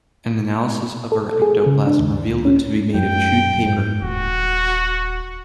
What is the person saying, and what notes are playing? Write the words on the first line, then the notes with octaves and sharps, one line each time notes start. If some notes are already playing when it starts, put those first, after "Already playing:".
An analysis of her ectoplasm revealed it to be made of chewed paper.
A4
G#4
C#3
D4
D#2
C#2
C#4
F#2 G5
G#2
D#1 F#4